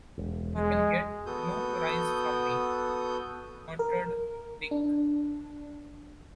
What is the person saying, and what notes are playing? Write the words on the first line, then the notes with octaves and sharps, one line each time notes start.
"You can get no rise from me," muttered Dick.
E1
G#3
B3 F#4 A4 D#6 G6
A#4
D4